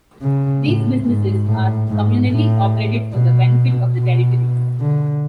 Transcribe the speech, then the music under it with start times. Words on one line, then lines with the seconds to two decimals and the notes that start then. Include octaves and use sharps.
These businesses are communally operated for the benefit of the Territory.
0.22 C#3
0.63 A2
1.05 G#2
1.47 A2
1.89 G#2
2.30 A2
3.14 B2
3.97 B2
4.81 D3